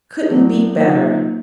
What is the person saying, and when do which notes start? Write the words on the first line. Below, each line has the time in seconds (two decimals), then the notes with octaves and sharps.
'Couldn't be better.'
0.29 A2 F#3 A3 D4
0.79 A#2 F#3 A#3 D#4